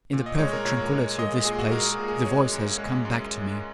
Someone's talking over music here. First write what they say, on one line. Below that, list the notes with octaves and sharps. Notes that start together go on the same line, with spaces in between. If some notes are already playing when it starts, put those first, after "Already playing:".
In the perfect tranquillity of this place the voice has come back to me.
A#2
D#5
G#3 C#5
A#4
A#2 C#5
G#3
G#3 D#5
A#2 G#4
F#4
G#3 A#4
G#4
A#2
G#4
G#3 C#5
F#2
G#3
F#2